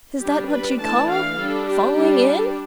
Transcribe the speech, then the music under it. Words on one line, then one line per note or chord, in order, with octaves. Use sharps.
"Is that what you call FALLING IN?"
G3 D4 G4
B4
E3 A3 D4 A5
F5
G3 D4 A4
G4
G3 D4